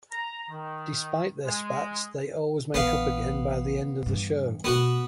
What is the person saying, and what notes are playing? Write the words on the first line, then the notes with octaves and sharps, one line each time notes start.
Despite their spats, they always make up again by the end of the show.
A#5
D#3
G#3
A#1 E3 B3 F5
G2 E3
B2 A3 B3 F#4